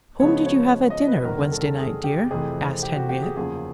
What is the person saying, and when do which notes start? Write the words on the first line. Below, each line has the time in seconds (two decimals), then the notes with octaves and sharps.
"Whom did you have at dinner Wednesday night, dear?" asked Henriette.
0.20 C#2 C#3 F3 G#3 B3 C#5
0.46 C#5
0.90 D#5
1.08 B4
1.25 E2 C3 D#3 G3 A#4
1.52 A4
1.67 A4
1.79 G#4
2.04 G4
2.31 F2 C3 E3 A3 G#4
2.83 G4
2.96 F#4
3.09 G4
3.22 G#4
3.36 F#1 E2 C#3 F3 A#3 G#4